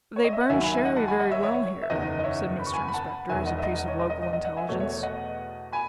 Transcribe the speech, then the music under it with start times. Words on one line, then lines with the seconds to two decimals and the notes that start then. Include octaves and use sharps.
'They burn sherry very well here,' said Mr Inspector, as a piece of local intelligence.
0.16 C#5
0.25 D#5
0.33 E5
0.41 F#5
0.50 D#2 D#3 F#3 E5 G#5
0.61 G#5 B5
0.73 E5 G#5
0.85 D#5 F#5
0.96 F#5 A5
1.08 G#5 B5
1.20 D#5 F#5
1.31 C#5 E5
1.43 C#5 E5
1.54 C#5
1.82 E5
1.90 F#1 E2 D#3 D#5
2.19 D#5
2.24 C#5 E5
2.59 B5
2.66 C#6
2.74 G#5 B5
2.88 B5
2.94 F#5 A5
3.28 E1 E2 D#3 E5 G#5
3.47 D#5 F#5
3.58 E5
3.63 D#5
3.88 C#5
3.99 D#5
4.10 D#5
4.23 D#5
4.33 D#5
4.45 D#5 F#5
4.57 E5 G#5
4.68 E2 B2 A3 C#5 E5
4.80 C#5 E5
4.92 C#5
5.03 D#5 F#5
5.72 G#5 B5